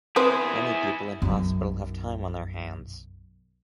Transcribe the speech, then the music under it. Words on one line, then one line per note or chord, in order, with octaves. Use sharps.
Many people in hospitals have time on their hands.
C4 E4 G#4 B4 C5
B1 F#2